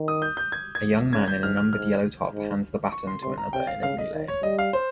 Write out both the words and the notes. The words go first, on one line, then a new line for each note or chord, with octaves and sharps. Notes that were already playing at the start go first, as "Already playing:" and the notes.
A young man in a numbered yellow top hands the baton to another in a relay.
Already playing: D#3
D#6
G6
G6
G#6
G#6
C#3 G#6
G#6
G6
G#2 F6
F6
G#2 F6
G#2
C#6
C6
C3 C6
A#5
C3 G5
F5
C#3 F5
D#5
D#3
C#5
G3 D#5
F5
C5